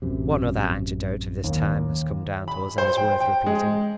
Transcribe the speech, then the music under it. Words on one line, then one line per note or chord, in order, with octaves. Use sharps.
One other anecdote of this time has come down to us and is worth repeating.
A1 F#2 C3
D#2
B5
C5
G5
G5
G#3